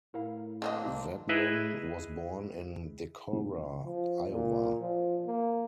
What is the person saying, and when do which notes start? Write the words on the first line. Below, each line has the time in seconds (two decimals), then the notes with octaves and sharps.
Veblen was born in Decorah, Iowa.
0.14 A2 E4 A#4 F5
0.62 D3 A#3 C4 D4 D#4 D#5
1.29 E4 G#4 B4 D#5 E5 A#5
3.85 F3
4.30 A#2
4.81 F3
5.26 A#3